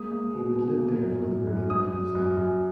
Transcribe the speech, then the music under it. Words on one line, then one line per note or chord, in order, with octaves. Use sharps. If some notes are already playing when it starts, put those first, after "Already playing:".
He would live there for the remainder of his life.
Already playing: G#3 A#3 D#6
A#3
B2
B2
A#3
F#2
F#2
F#2
F#2 D#6
F#2
F#2
F#2